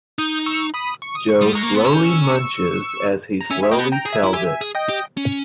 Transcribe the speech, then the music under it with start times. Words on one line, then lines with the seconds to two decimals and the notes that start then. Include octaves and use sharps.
Jo slowly munches as he slowly tells it.
0.18 D#4 D#6 G6
0.46 C#6 E6
0.74 B5 D#6
1.02 C#6
1.15 D#6
1.29 C#6
1.41 G3 D#6
1.53 G#3 A#5 C#6
1.63 A#3
1.74 B3
1.85 C#4 E6
1.94 G6
2.04 C#6 E6
3.41 A#5
3.50 C#4 E5 G#5
3.63 E5
3.71 A#3 D#5 G5
3.79 B3
3.92 G5 A#5
4.05 G#4
4.13 E5 G#5
4.24 E4
4.33 G4 E5 G#5
4.61 G#4
4.75 D#5 G5
4.89 G4
5.17 C#4